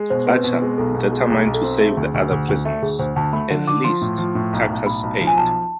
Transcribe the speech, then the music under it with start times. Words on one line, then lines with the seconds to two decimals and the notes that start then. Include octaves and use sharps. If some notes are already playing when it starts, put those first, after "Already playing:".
Archer, determined to save the other prisoners, enlists Tucker's aid.
Already playing: G#3
0.10 B2 C5
0.27 C4 B4
0.44 B2
0.62 G#3
0.78 B1 A4
0.95 B2
1.13 G#3
1.30 B1 G#4
1.46 B1
1.54 A4
1.63 C4
1.81 A3 G#4
1.97 D2
2.14 D2
2.31 D2
2.49 D2
2.65 A3
2.82 D2 G#4
2.99 D2 C5
3.16 D2 A5
3.33 A3 B5
3.50 D3
3.67 D3 D6
3.84 F3 C6
4.02 A2
4.18 F3
4.35 A2
4.53 B1
4.70 B1
4.86 A2 B5
5.03 B1
5.21 F3
5.27 G#5
5.37 B1 A5